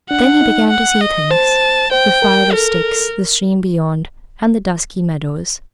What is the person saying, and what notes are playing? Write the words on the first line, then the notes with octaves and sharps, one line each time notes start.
Then he began to see things--the fire of sticks, the stream beyond, and the dusky meadows.
D4 F#5
D#4
F#5
D#5
C5 A5
C5 G5
A#4
A4 A#4